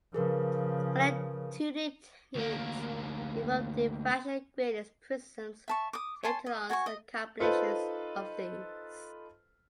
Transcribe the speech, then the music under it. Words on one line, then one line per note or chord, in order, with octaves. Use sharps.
Other tuning techniques involve diffraction gratings, prisms, etalons, and combinations of these.
C#3 F3 G#4 A#4 B4
D2 A#3
E5 A5 C#6
D6 D#6
C#5 G#5 A5 C6
D#5
F#4 G#5 A5 C#6
D#5
D#4 F4 A4 B4 C5 D#5